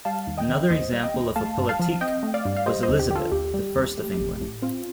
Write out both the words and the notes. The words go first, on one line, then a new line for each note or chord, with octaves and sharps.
Another example of a politique was Elizabeth the First of England.
G3 F5 A5
D#2
D#5 G5
D#3
D#2 C5 D#5
G3
D#5 G5
D#2
A3 F5 A5
G2
F5 A5
F3
C4 D#5 G5
A3
D5 F5
G2
F5
G3 C5 D#5
C5 D#5
D#2
G4
D3 G4
F4 A4
D#2 G4
G3
D#2
A3
A1
A2
C4 F4